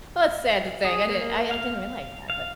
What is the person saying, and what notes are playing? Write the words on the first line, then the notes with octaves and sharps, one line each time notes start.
it's sad to think, I didn't I I didn't realize that,
G#4
A#3
F5
F5